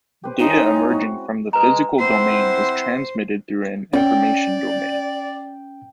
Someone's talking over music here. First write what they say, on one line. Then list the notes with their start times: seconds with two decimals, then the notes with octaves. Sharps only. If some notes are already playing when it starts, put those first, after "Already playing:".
Data emerging from the physical domain is transmitted through an information domain.
0.24 G4 B4 C5
0.39 C#3 G#3 D#4 E4
0.75 C4
0.89 F#4
1.53 G#3 B4 A#5
1.99 C4 E4 C5 F#5
3.93 C#4 D5 G5